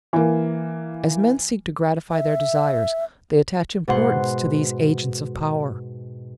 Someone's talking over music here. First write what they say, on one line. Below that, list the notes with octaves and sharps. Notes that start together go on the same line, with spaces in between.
As men seek to gratify their desires, they attach importance to these agents of power.
E3 A#3
E5
G#2 B2 F#5 C6